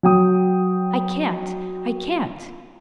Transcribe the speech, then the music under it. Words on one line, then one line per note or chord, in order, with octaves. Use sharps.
"I can't--I can't!"
F#3 G5 D#6